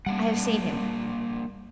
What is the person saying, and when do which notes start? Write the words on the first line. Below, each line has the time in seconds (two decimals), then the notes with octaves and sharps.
"I have seen him."
0.06 G3 A#3 D4 F#5